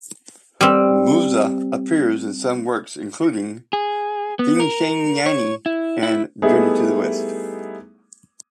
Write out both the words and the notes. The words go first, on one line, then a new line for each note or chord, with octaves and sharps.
Muzha appears in some works including "Fengshen Yanyi" and "Journey to the West".
G3 C4
G#4
B3
A#4
C#5
E4
E4
G3 A3 B3 D#4 E4 G#4